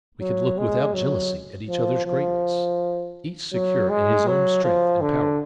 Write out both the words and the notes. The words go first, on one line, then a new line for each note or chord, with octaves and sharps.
We could look without jealousy at each other's greatness, each secure in his own strength and power.
F#3
G#3
F#3
F3
F3
F#3
G#3
F#3
F3
D3